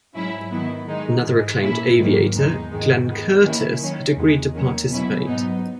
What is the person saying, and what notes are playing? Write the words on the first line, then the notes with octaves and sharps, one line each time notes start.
Another acclaimed aviator, Glenn Curtiss, had agreed to participate.
G#2 F#3 C#4 E4
D#3 F#3 B3 E4
D#3 G#3 D#4
G#2 E3 G#3
A#2 A#3 C#4 E4
G#2 D#3 F#3 A#3
E2 D#3 G#3 D#4
G#2 D#3 G#3
D#3 G#3 B3
D#3 A#3 C#4 E4
D#3 F#3 C#4
E2 D#3 G#3
D#3 F#3 A#3 C#4
B2 F#3 C#4 E4
G#2 F#3 B3 D#4